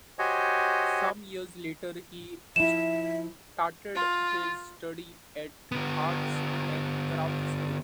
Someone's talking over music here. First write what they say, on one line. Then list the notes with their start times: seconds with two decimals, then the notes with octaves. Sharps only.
Some years later he started his studies at Arts and Crafts School.
0.19 F#4 G4 C5 C#5 D#5 G#5
2.56 F3 E4 E5 E7
3.95 F4
5.72 D3 B3